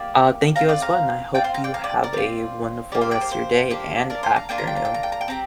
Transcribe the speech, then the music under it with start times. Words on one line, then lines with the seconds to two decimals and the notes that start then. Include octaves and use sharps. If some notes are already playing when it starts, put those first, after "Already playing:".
Uh, thank you as well, I hope you have a wonderful rest of your day and afternoon.
Already playing: A#3 G4 D5
0.56 C4 F4 F5 A#5
0.69 D5 G5
0.82 F5 A#5
1.35 C4 F4 D5 G5
1.44 C5 F5
1.54 F5 A#5
1.64 D5 G5
1.74 F5 A#5
1.84 D5 G5
2.03 A#4 D5
2.13 C4 F4
2.92 A#3 G4 A#4 D5
3.01 C5 F5
3.11 D5 G5
3.21 C5 F5
3.32 C5
3.70 A#3 D4 G4
4.10 A#4 D5
4.23 C5 F5
4.36 F5 A#5
4.49 A#3 D4 F4 G5
4.58 A#5
4.67 G5
4.76 A#5
4.85 G5
4.94 A#5
5.03 G5
5.12 A#5
5.21 G5
5.28 C4 G4 A#5